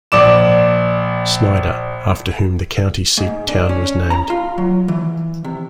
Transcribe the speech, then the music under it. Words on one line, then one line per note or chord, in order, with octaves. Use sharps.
Snyder, after whom the county seat town was named.
A#1 D5 D6 E7
G#2
D4
C#4
A#5
F4
F#3
E3
C3